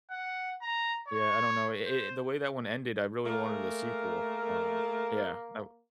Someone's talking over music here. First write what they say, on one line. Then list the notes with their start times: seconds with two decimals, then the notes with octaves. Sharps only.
yeah, I don't know, i i the way that one ended, I really wanted the sequel, um, yeah, I r
0.11 F#5
0.62 A#5
1.08 C#5
1.86 C5
3.26 A3 A#3 G#4 A#4